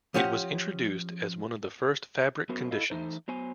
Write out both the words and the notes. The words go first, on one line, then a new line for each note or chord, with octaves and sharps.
It was introduced as one of the first fabric conditions.
F3 C#4 G4 F#5
F#2 B3 F#4 A#4 C5
E4 A4 D#5 F5
E3 A3 D#4 C5
F#3 B3 C5 G#5